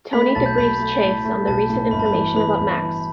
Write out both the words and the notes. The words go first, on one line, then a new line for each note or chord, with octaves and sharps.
Tony debriefs Chase on the recent information about Max.
A3 B5 B6
B1 A5 A6
G6
B1 B5
A3
A2 A5
A3
B1 A5
A2
G1 B5
A5
B5
E3
E3 B5
G1
E3